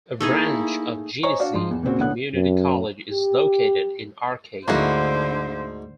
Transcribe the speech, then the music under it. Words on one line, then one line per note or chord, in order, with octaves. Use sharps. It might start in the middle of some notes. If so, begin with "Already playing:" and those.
A branch of Genesee Community College is located in Arcade.
A3 A#3 D#4 E4 G#4
C5 C#5 D#5 G#5 A#5 C#6
D4 F#4 D5 F5
G#2 F3 C6
E2
A#2 C#3 C4 F#4
B1 D3 B3 F#5 F#6
F#2
G4
D2 G#2 D3 A#3 E4 F#4 C5